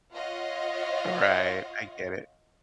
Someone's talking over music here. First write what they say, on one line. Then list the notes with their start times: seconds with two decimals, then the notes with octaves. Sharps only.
Right, I get it.
0.16 F4 C#5 D#5 F5 F#5